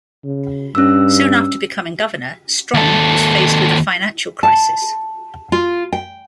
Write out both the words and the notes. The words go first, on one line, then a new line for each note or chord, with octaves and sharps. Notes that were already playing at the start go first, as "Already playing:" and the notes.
Soon after becoming governor, Strong was faced with a financial crisis.
C#3
G2 C#4 E6
D#2 A4
A5
F4
G5